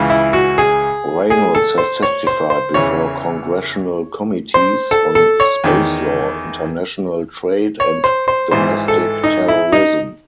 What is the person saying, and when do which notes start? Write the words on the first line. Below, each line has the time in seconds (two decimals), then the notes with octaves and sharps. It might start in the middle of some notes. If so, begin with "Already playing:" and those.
Reynolds has testified before Congressional committees on space law, international trade, and domestic terrorism.
Already playing: C#2 C#3 E3
0.10 E4
0.33 F#4
0.58 G#4
1.30 G#4
1.55 A4
1.78 C5
2.03 C#5
2.27 C5
2.50 C5
2.74 E2 C#3 E3 C#5
4.54 C5
4.91 A4
5.15 A4
5.40 C#5
5.64 E2 D#3
7.80 C#5
8.04 C5
8.28 C5
8.51 G#1 G#2 E3 C5
8.88 A4
9.24 D#4
9.48 E4
9.72 D#4